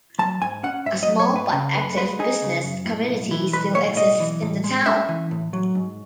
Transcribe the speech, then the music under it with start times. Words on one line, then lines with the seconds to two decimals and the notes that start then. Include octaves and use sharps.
A small but active business community still exists in the town.
0.19 F#3 A5
0.41 G#2 G#5
0.63 C#4 F#5
0.86 G#2 E5
1.03 D#5
1.08 F#3
1.20 C#5
1.30 G#2
1.36 B4
1.52 C#3
1.75 F#2 B4
1.97 G#3 B4
2.19 D#4 G#4
2.42 C#3
2.64 F#2
2.86 A2
3.08 B1
3.31 E3
3.53 B1 B4
3.75 A2 C#5
3.97 B1 D#5
4.20 E3
4.42 A2
4.64 G#3
4.86 C#4 E5
5.09 E3
5.31 A2
5.53 F#3
5.75 G#2